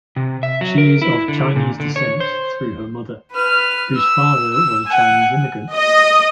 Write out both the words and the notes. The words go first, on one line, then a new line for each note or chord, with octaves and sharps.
She is of Chinese descent through her mother, whose father was a Chinese immigrant.
C3
E5
F#3
A#4
E4
D3
A#2
D3
C#5
C5
B4 F6
E6
E6
F#5 G#5
D#5